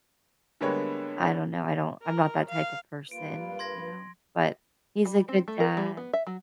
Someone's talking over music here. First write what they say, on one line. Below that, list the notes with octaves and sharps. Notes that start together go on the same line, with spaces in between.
I don't know. I don't I'm not that type of person, you know? But, he's a good dad
D3 G3 G#3 A#3 B3 C#5
A#4
F5
G2 A#3 F4 B4 D7
C6 G#6 A#6
G3
C4
A3
A#4
G3
B3
E5
F#3